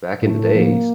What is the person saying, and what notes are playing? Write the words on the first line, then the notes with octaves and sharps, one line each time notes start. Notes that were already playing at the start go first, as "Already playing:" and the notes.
back in the days,
A2 A3
A2
F3 A#3